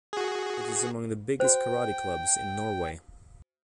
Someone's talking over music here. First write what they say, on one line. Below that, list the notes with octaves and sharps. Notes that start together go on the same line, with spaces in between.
It is among the biggest karate clubs in Norway.
F#4 G#4
F#4 C5 G5